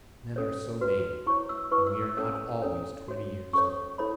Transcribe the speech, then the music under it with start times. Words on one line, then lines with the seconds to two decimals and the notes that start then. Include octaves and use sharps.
Men are so made; and we are not always twenty years old.
0.36 C#4 A4 C#5
0.81 F#4 B4
1.27 E4 C#5 C#6
1.49 E6
1.71 E4 B4 C#6
1.87 E6
2.03 E6
2.17 C#4 A4 C#5 E6
2.62 C#4 A4 C#5
3.08 F#4 C#5
3.53 C#4 A4 C#5 C#6
3.98 E4 A4 C#5 B5